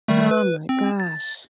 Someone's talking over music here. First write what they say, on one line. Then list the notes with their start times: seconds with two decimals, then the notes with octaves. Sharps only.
Oh my gosh.
0.08 D#3 G3 A3
0.31 B4
0.69 C4
1.00 A6